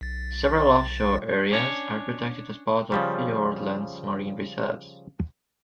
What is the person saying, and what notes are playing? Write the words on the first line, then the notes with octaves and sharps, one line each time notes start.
Several offshore areas are protected as part of Fiordland's marine reserves.
B1 A6
C#4 D4 C#5
C#3 F3 G3